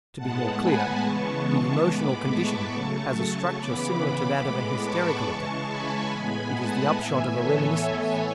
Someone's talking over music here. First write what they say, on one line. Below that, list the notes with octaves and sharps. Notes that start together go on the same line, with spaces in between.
To be more clear: the emotional condition has a structure similar to that of an hysterical attack; it is the upshot of a reminiscence.
A2 G#3 B3 F#5 A5
G#5 B5
C#3 E3 G#3 B3 A5 C#6
A5 C#6
A2 G#3 B3 B5 D6
A5 C#6
C#3 F#3 A3
A5 C#6
C#3 E3 B3 B5 D6
A2 G#3 B3 B5 D6
A5 C#6
C#3 E3 G#3
G#5 B5
A2 G#3 B3
F#5 A5
A2 E3 B3 E5 G#5
A4 C#5